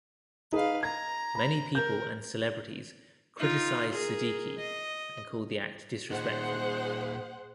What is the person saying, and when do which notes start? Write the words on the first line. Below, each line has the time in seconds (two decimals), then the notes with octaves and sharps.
Many people and celebrities criticized Siddiqui and called the act disrespectful.
0.52 D#4 G#4 B4 D#5 F5
0.83 A#5 G#6
1.35 B5
1.75 A#4 G6
3.37 D#4 F4
3.92 G#4 A#4
4.58 D#5
6.11 A#2 D#4 G#4 C5 F#5